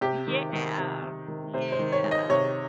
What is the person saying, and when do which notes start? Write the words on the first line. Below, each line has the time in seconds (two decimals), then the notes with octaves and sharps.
Yeah. Yeah.
0.01 C3 G4
0.27 D#3
0.53 D#3
0.78 C3
1.03 C3
1.28 D#3
1.54 C3 C5
1.72 C5
1.79 D#3
1.92 C#5
2.04 D#3
2.11 D#5
2.30 C3 C#5